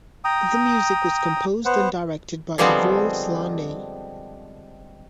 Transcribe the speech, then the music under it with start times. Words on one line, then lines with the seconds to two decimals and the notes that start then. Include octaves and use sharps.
The music was composed and directed by Ivor Slaney.
0.24 G5 A#5 D#6
1.65 B3 B4 C5 F#5
2.58 D3 F3 G3 G#3 B3 C4